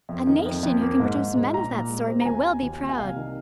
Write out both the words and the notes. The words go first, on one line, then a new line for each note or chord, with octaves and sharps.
A nation who can produce men of that sort may well be proud.
F2
D#3
F2
F2
A#3
G#2
G#2
G#2
A#2 A#5
A#2
G#3
C4
A#5
D#2 G#5
D#2
D#2
D#2
G#5
C2 F5
D#3